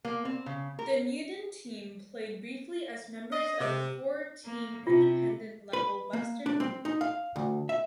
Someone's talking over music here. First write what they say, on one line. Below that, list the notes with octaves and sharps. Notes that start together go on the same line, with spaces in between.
The Newton team played briefly as members of the four–team Independent level Western League.
A#3
C4
C#3
A#4
D#5
C3
A#3
C3 F4
B4
A#3
D4
C4
D#4
F5
D2
E5